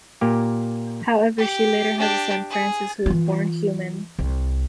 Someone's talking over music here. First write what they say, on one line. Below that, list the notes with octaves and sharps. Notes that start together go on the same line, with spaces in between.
However, she later has a son, Francis, who is born human.
A#2 A#3 G4
G4
D4 G4
G#4
E3 F4
C2